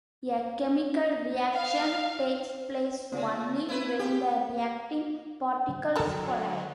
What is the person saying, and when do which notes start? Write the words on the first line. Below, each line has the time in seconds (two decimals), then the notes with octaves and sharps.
A chemical reaction takes place only when the reacting particles collide.
1.53 F5
3.12 C#3 B3 F4 G#5
3.69 C4 E4 B4 C5
3.99 G4 G#4 C5 F5
5.96 D3 F#3 C4 A4 A#4